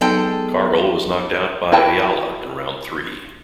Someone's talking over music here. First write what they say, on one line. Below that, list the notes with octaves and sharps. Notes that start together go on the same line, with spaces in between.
Cargle was knocked out by Ayala in round three.
F#3 G#3 B3 D#4 A4 G5
E4 F#4 G5 A5